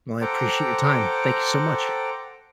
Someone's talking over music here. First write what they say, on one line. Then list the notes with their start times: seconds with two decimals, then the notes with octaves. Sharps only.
Well, I appreciate your time. Thank you so much.
0.21 A4 C5 F#5 G5 A#5 D6